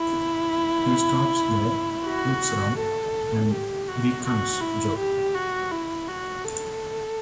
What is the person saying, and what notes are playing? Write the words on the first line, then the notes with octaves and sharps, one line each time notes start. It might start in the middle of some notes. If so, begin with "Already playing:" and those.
He stops there, looks round, and beckons Jo.
Already playing: E4
F#4
A4
G4
F#4
F#4
E4
G4
F#4
E4
F#4
A4